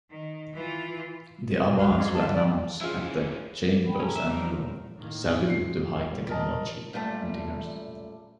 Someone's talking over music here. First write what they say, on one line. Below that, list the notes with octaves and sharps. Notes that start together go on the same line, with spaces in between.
The awards were announced at the Chamber's annual "Salute to High Technology" dinners.
D#3
E3 F4
B2
C2 F#3 F5
G#2 D3
A5
D5
G#1 C#3 E3 C#4 F4 E5
F#5 G5 B5
C#4 A5 A#5
E5
G3 D#4 A#4
A2 D#3 A#3
F2 C7
G1 A#2 G3
A#4 D#5 A5
F#2 A#2 G3 A3 A5